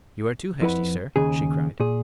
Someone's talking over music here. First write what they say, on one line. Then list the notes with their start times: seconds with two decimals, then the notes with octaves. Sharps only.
"You are too hasty, sir," she cried.
0.62 F2 E4 B4 F#5 B5
1.16 D#2 C#3 G#4
1.80 A#2 G#4